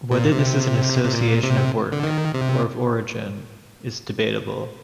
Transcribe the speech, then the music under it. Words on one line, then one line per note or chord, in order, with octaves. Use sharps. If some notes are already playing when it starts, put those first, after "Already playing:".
Whether this is an association of work, or of origin, is debatable.
A#2
C3
C3
A#2
C3
D3
D#3
C3